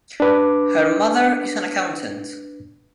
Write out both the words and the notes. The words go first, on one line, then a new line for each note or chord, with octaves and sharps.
Her mother is an accountant.
D4 B4 D6